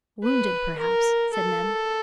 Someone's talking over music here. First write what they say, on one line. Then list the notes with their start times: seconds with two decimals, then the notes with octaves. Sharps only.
"Wounded, perhaps!" said Neb.
0.24 B4
0.78 A#4
1.33 A4